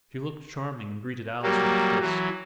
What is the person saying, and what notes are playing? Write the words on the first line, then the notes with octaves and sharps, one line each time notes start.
She looked charming, and greeted Alice with a kiss.
F#3 G3 A#3
E3 F#3